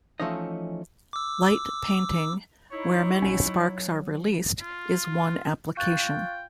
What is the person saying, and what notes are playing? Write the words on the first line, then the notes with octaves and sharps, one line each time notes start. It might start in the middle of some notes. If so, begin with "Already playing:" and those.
Light painting, where many sparks are released, is one application.
E3 F3 A3 C#4 D#4 D#5
D6 E6
D#4 E4 C#5
A#1 F#3 C#4
F#3
F4
F4 G5 C#6 F#6 A6